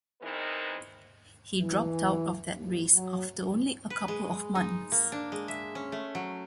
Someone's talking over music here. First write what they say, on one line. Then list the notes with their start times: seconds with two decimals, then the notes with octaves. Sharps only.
He dropped out of that race after only a couple of months.
0.22 E3 G#3 B3 C4 D#4 A#4
1.59 E3
2.53 D#2
2.94 F#3
3.90 B4
4.08 G#3
4.55 D#4
4.92 A#3
5.12 D4
5.32 G#3
5.48 E5
5.75 C#4
5.92 A3
6.15 F#3